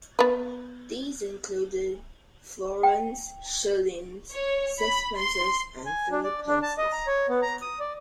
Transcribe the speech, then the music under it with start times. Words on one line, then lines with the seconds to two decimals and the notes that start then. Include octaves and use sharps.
These included florins, shillings, sixpences and threepences.
0.19 B3 B4
2.83 G5
4.32 C#5
4.81 B5
5.18 C6
5.86 G#5
6.11 D4
6.24 D5
6.47 D4
6.62 A5
6.78 D#5
6.92 A#5
7.07 C#5
7.29 B3
7.42 A#5
7.62 D#6
7.80 D5